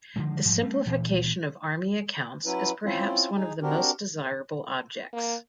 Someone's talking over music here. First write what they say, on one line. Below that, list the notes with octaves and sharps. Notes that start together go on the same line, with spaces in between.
The simplification of army accounts is perhaps one of the most desirable objects.
D3 D#3 F3 G#3
G#2 F3 G3
G3 A3 C4 C#4
D2 A#2 E3
F#3 C#4 E4 B4
C4 C#4 E4 F4
D#4 G#4
C4 D4 F#4 G4 A#4
A#3